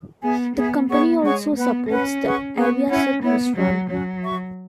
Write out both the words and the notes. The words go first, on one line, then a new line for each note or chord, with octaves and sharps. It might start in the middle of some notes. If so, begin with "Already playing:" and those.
The company also supports the Aviasud Mistral.
B3 G#4 E5 G#5
B3 G#4 E5 G#5
B3 G#4 C#5 F#5 C#6
G#3 G#4 C#5 F#5 C#6
B3 B4 F#5 B5
C#4 B4 F#5 B5
G#4 B4 F#5 C#6
B3 G#4 B4 F#5 C#6
C#4 E4 C#5 F#5 B5
B3 E4 C#5 F#5 B5
F#3 C#4 F#4 C#5
F#3 C#4 F#4 C#5
F#4 E5 C#6